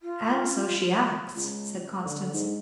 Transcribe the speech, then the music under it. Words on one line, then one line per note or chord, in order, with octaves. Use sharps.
"And so she acts," said Constance.
F4
C#2
D3
G#2